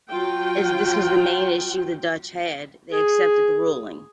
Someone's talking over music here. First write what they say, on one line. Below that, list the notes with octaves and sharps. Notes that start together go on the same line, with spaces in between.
As this was the main issue the Dutch had, they accepted the ruling.
F#3 F4 G5
G#4